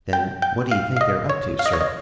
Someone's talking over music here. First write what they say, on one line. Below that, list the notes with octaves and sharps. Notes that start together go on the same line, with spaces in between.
"Then what do you think they're up to, sir?"
G5
G5
F5
F5
D#5
C#5
F5
D#5
C#5
D#5